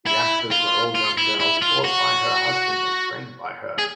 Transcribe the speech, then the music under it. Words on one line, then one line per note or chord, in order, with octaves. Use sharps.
The actors were all young girls bought by her husband and trained by her.
E4
F4
F4
E4
E4
F4
F#4
G#4